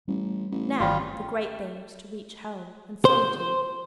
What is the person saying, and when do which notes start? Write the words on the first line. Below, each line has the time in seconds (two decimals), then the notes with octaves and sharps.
Now, the great thing was to reach home, and solitude.
0.08 A1 G3
0.51 A1
0.80 G1 D#3 G3 F4
3.05 C5